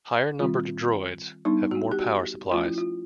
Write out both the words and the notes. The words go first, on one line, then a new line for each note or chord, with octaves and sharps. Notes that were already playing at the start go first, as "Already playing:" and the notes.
Higher-numbered droids have more power supplies.
D#3 G3 C4 F4
G3 B3 D4 D#4
F#4
G4
F#4
F3 A3 C#4 F4
E4
F4